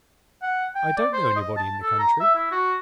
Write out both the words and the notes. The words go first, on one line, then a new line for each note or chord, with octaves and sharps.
I don't know anybody in the country.'
F#5
G5
D5
C5
D#5
A5
A4
A#5
E5
E4
F#4